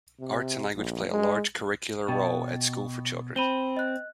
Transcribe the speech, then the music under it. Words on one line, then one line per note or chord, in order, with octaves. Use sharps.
Arts and language play a large curricular role at School for Children.
C3
A#1
G#3
B2 D#5 G5
C4 B5 D#7 G7
D#5 F#6